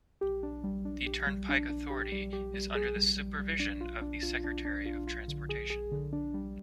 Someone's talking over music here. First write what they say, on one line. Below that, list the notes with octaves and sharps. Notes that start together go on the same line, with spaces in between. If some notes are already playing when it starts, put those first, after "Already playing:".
The Turnpike Authority is under the supervision of the Secretary of Transportation.
G4
D4
G3
D4
G4
G3
D4
D4
G4
G3
G4
G3
G#4
G3
G3
G3
D4
F4
D4
F4
D4
D4
F4
F4
D3
G#4
G#4
D3
D4
G3